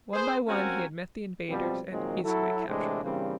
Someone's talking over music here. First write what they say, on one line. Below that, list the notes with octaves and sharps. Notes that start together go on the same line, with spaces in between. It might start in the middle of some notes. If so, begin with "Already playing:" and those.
One by one he had met the invaders and easily captured them.
G#4 B4 C5
A#3 C4 C#4 F#4 A#4 G#5
F2 B2 F3 G3 C4
A#2 D#3 F3 F#3 G#3 C4
F#3 E4 A4
A2 C3 E3 G#3 C4 D4
G2 C#3 E3 G3 A#3 C4